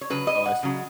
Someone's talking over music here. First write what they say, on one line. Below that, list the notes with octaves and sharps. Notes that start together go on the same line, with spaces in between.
Oh, I see.
C#5
C#3 F#3 B4
D#5
F#5
C#3 F#3